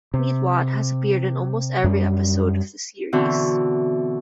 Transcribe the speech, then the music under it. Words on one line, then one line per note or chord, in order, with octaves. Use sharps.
Meatwad has appeared in almost every episode of the series.
C3
F#2 G3
B2 D3 E3 C4 F#4